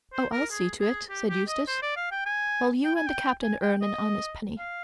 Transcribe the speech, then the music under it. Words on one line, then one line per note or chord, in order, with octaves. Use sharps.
"Oh, I'll see to it," said Eustace, "while you and the Captain earn an honest penny."
C5
A#4
G#4
G#4
G4
G4
D#5
C5
D5
F5
G5
G#5
G5
G#5
G5
G#5
G5
D#5
F5